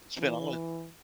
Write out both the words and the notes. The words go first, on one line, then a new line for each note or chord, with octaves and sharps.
…spent all of it
E3